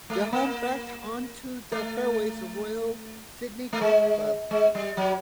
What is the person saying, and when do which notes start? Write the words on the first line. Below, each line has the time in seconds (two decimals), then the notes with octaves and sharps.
Their home backed on to the fairways of Royal Sydney Golf Club.
0.10 A3
0.33 A#3
1.72 A3
3.73 A3
3.81 G#3
4.51 G#3
4.75 G3
4.97 F#3